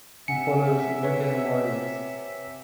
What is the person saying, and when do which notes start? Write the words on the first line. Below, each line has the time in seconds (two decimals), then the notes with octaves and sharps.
He follows Wigan Warriors.
0.28 C3 E5 F#5 G#5 C#7
1.03 B4 C#5